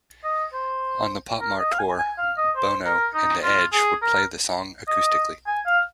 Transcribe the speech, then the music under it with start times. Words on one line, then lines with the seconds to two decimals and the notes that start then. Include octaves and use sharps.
On the PopMart Tour, Bono and the Edge would play the song acoustically.
0.24 D#5
0.53 C5
1.41 A#4
1.59 D#5
1.72 F5
1.79 G#5
1.99 G#5
2.18 F5
2.37 D#5
2.56 C5
2.86 A#4
3.14 D#4
3.43 F4
3.73 G#4
4.02 A#4
4.88 D#5
5.47 G#5
5.66 F5